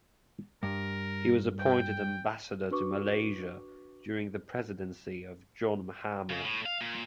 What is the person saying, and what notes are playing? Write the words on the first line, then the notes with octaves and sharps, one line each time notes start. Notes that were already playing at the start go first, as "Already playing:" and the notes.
He was appointed Ambassador to Malaysia during the presidency of John Mahama.
G2 A#4
G5
D4 F#4 B4 C#6 D6
C#3
A2
F5
A#2